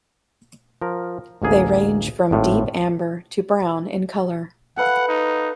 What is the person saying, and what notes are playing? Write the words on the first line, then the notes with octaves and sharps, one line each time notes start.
They range from deep amber to brown in colour.
F3 A#4
A1 D2 A#3 G#4
G#1 A2 F4
A4 B4 F5 F#5
D#4